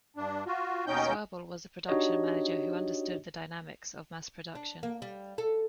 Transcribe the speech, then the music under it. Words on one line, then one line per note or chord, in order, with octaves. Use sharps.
Swirbul was the production manager, who understood the dynamics of mass production.
G2 D4
F4 F#4
D#2 B2 C#4 D#4 G5 G6
D4 D#4 F#4 G4 C#5 D#5
D4
A#3
G3
A4